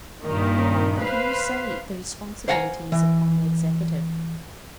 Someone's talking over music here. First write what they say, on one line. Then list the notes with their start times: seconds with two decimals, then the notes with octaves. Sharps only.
No longer can you say the responsibility is upon the Executive.
0.25 G2 A#2 D#3
1.02 B4 C5 F5
2.48 C5 F5 F#5 G#5 A#5
2.92 E3